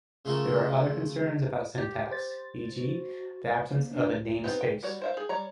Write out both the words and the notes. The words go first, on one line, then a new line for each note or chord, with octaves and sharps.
There are other concerns about syntax, e.g., the absence of a namespace.
C#3 A3 F4 F#4 A4 A#4
G4
C5 A6
F#4
A#3
D4
B3 C4 D#4 G4
G5
G3 F#4 C#5
C5 E5 F5
G4 G#4
G3 C#5 A#5